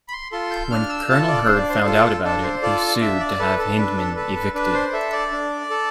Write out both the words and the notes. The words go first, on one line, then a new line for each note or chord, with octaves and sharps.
When Colonel Hurd found out about it, he sued to have Hyndman evicted.
B5
C6
F4 A4 C6
G6
D4 F6
E6
F4 A4 A5
D5
D4 C5
D5
C5
F4 A4
D4 A4
C5
F4 A4 D5
D4 E5
D5
A4 B4
A4
D4 B4
A4
A4 B4
B4
D4 B4
C5
A4 E5
D5
D4
A4